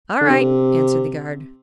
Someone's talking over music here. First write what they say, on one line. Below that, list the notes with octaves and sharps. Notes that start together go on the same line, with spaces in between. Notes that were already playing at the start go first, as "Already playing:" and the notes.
"All right," answered the guard.
D3
C3